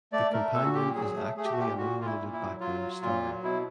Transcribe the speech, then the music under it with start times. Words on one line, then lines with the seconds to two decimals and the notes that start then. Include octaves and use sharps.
The companion is actually an unrelated background star.
0.12 A3 D5
0.33 A3 A#4
0.54 A#2 A4
0.65 F#4
0.74 A#2 G4
0.95 F#3 G#4
1.16 A3
1.37 A3 G#4
1.45 G4
1.52 F#4
1.57 A#2 G4
1.78 A#2 F#4
1.99 A#2 F4
2.05 E4
2.19 A#2
2.33 E4
2.40 F#3
2.60 F#3 F4
2.81 F#3
3.02 A#2 F4
3.23 F#3
3.43 B2 E4